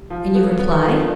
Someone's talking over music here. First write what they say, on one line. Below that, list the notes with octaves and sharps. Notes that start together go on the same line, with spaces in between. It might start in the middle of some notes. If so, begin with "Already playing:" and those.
"And you reply?"
Already playing: G4
F3
B3 A4
B3 B4
A#4
F3 A4
A#4